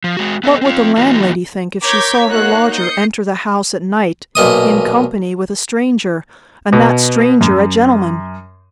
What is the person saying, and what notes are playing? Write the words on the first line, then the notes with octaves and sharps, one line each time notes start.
What would the landlady think if she saw her lodger enter the house at night in company with a stranger, and that stranger a gentleman?
F3
G#3 F#4
B3 A4 D#5
C4 F4
E3 A#3 B3 D#4 F4 F#4
A#4 C#5 D6 G6 G#6 B6
A#3 D#4 F#4 C#5 F#6
D#6 G6 C7 C#7
B1 A#2 D#5 D#6
B2
F#2